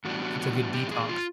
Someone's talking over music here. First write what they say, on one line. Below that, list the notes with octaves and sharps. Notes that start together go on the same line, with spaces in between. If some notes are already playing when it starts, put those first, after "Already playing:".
it's a good detox.
A2 E3 G3 B3 D4 F#4
F#4
F#4
G4
G#4
F4